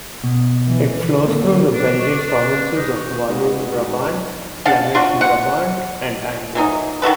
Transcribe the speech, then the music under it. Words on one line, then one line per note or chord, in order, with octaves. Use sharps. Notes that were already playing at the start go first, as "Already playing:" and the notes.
It flows through the Belgian provinces of Walloon Brabant, Flemish Brabant and Antwerp.
B2
E3
D3 A#3 C4
D4 B4
C#6
D4 B4
D#4
C#6
G#3 D#4 F#4 B4
D4 F5 F#5 A5
D4 F4 F#4
F#5
E3 F#3 D#4
D#3 F#4 A4 B4